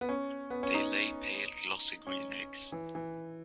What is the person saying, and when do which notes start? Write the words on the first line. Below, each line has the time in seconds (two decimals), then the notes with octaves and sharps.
They lay pale glossy green eggs.
0.01 B3
0.09 C#4
0.50 B3
0.63 C#4
0.74 D#4
2.07 C#4
2.72 E3
2.95 E3